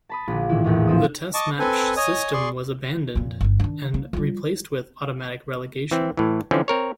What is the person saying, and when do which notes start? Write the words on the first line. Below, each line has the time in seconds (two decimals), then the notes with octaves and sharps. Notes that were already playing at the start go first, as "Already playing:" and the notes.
The "test match" system was abandoned and replaced with automatic relegation.
0.09 A5 B5 D#6
0.27 A#1 D3
0.49 A2 D#3 E3 E4
0.64 A#1 E2 A2
0.87 F3 B3 C4 D#6
1.34 D#5 A5 C#6 D6
1.59 C4 A4 B4 G#5
1.97 C#5 D#5 G#5 D#6
2.33 G#4 D5 C6 C#6
3.15 F2 A#2
3.41 G1 C#4
3.59 D#3 D4
3.94 A#3
4.13 F3 G3
5.91 E3 C4
6.17 A2 E3
6.51 D3 E3 F3 C4 C#4
6.68 C4 A#4 C#5